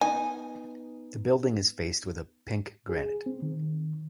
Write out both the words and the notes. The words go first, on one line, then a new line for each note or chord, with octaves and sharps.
The building is faced with a pink granite.
B3 D#4 D#5 G#5
G#4
C4
D#3